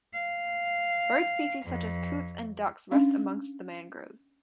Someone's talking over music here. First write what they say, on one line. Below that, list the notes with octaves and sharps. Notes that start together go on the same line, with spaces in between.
Bird species such as Coots and ducks rest amongst the mangroves.
F5
F2
C#4 D4 F5